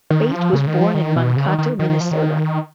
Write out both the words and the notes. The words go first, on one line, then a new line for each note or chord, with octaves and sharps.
Bate was born in Mankato, Minnesota.
D#3
F3
C#3
D#3
F3
D#3
B2
C#3
D#3
D#3
D#3
D#3
F3
D#3